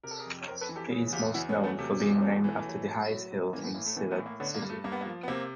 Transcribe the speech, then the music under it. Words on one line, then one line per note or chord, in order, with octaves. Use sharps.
He is most known for being named after the highest hill in Sylhet city.
C3 A#4
A4
G#4 A#4
F2
C#5
F2 A#4 C5
A4 B4
E3
G4 A4
C#3
E2 F4 G4
E2 E4 F#4
B3 C#4
F#3
A3 B3
C3 A3
E2
E2 A3
E3 A3
F#3
A2
F#3
A2
E3 A#3
A3 B3
A2 A#3
A3
E3 A3 B3
A3 B3
A2
A#3
D3 B3 C#4
A#3
G2
A3
G2 A#3
B3
A#3
F3
B3
C3 A#3 C4